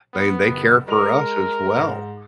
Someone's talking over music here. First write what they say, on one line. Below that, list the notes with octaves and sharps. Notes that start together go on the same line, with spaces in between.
They they care for us as well.
B3
F#1
G#3 A#4 F7
G#2